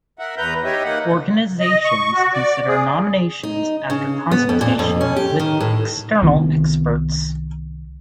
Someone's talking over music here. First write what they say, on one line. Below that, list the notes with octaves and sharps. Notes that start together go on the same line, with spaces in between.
Organisations consider nominations after consultation with external experts.
A#4 E5 F#5
E2 B4 A#5 G6
D#4 G4 C#5 D#5 E5
A#3 D#4 F#5
D#5
C#6
F#4
D5
G#4
D#4
C#3
B3
F2
A#2
F2
C#4
G4
D#3
A2
C2 D#3 B3 C4